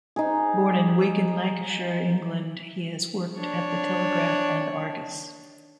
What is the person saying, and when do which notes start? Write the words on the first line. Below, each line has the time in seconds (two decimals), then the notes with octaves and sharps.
Born in Wigan, Lancashire, England, he has worked at the Telegraph and Argus.
0.16 D#4 G#4
3.39 D4 C#5